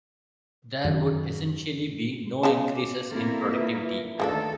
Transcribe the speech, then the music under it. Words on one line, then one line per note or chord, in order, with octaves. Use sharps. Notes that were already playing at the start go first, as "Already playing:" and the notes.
There would essentially be no increases in productivity.
F#2 D#3
C#3 G#3 D#5 A5
D6
D3 A#3 C4 E4 A4
F4 B4 E5
D2 D#3 F3 A#3 D4 A4